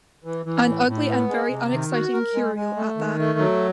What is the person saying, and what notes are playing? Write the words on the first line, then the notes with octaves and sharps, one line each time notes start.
An ugly and very unexciting curio at that!
E3
E3
A2
A2
B3
G#3
C3
D#3
F#4
A#4
G#3
G#3
A3
D#3
A3
F#3